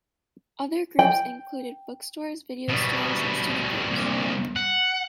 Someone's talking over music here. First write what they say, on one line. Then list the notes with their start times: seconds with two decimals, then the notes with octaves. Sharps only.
Other groups included bookstores, video stores and student groups.
0.99 G5
2.69 B2 G3
3.90 C2 A#2
4.56 F#5